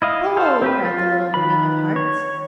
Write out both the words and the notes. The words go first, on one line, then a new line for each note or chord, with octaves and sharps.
"Pull!" cried the little Queen of Hearts.
E4 D#5 F5
A4 C5 F5
C4 G4 B4
F4
D#3 B4 B5
C#5